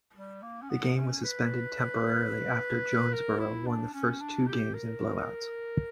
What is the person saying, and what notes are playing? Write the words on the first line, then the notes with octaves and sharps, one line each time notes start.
The game was suspended temporarily after Jonesboro won the first two games in blowouts.
G3
A#3
C#4
B3
C#4
B4
A#4
E4
D4
C#4
D4
G4
A#4